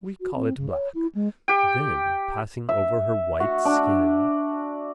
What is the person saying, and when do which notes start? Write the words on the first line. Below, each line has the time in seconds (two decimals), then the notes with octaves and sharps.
We call it black. Then passing over her white skin.
0.21 F#4
0.35 C4
0.57 C#3
0.70 C#5
0.95 E4
1.15 G#3
1.48 G4 G5
2.69 E5
3.40 F#4
3.65 D4